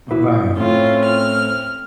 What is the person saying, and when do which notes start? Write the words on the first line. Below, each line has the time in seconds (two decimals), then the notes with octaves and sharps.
Oh, wow.
0.11 E4 F#4 B4
0.57 A2 C4 C#4 F4
1.06 F6